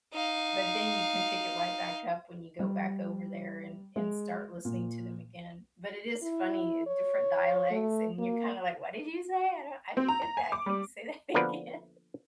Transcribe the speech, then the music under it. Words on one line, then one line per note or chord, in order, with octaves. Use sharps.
But then you can pick it right back up when you go back over there and and start listening to them again. But it is funny, uh, different dialects, and you're kinda like, "What did you say? I don't I didn't get that. Can you say that again?"
D#4 F5
G3
G#3
A#2
E4
C#5
A3
A#3
C4
A#5
A#5
G#5
D6
G3
D3 F3 A#3 B3 B4 D5